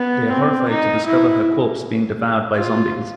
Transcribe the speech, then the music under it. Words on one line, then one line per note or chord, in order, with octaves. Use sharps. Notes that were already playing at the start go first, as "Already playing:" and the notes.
They are horrified to discover her corpse being devoured by zombies.
Already playing: B3
C4
D#4
E4
F4